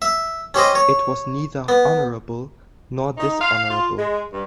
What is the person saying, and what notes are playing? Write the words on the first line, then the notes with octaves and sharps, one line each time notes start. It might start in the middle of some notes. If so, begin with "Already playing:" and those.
It was neither honorable nor dishonorable.
E5
C#4 G4 C5 D#5
C#5
B3
D#4
F5
F4
G#3
G2